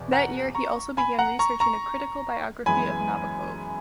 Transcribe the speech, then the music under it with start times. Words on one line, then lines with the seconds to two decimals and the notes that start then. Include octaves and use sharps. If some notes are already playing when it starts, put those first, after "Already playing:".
That year he also began researching a critical biography of Nabokov.
Already playing: E2 B2
0.13 F#5 A#5
0.55 A#5 C#6
0.97 G#5 B5
1.19 F#5 A#5
1.39 A#5 C#6
1.60 A#5 C#6
2.66 F#2 E3 G#3 B3 G#5 B5